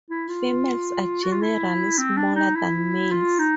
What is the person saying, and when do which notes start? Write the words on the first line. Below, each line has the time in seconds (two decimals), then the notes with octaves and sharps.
Females are generally smaller than males.
0.10 E4
0.29 F4
1.24 F#4
1.33 F4
1.41 E4
1.98 C4
2.17 D4
2.36 D#4
2.55 E4
3.11 F4
3.39 D#4